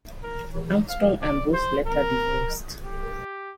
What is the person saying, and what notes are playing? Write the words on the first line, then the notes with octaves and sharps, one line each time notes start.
Armstrong and Bruce later divorced.
A#4
F5
D5
C5
A#4
G4